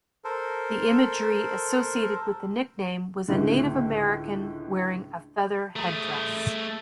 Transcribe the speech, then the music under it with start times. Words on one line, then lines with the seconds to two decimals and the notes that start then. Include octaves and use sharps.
The imagery associated with the nickname was a Native American wearing a feather headdress.
0.24 A4 A#4 C5
3.28 C#2 A2 D3
5.76 A3 G#4